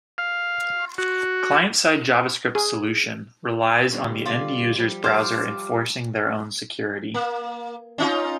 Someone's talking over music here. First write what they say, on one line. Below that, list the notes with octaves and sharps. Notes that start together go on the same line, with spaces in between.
Client-side JavaScript solution relies on the end-user's browser enforcing their own security.
F5
F#4
G#4
B2 D3 G3
F4 D5
F3 G3
C5 D5 F5
A#3
C#4 D#4 F4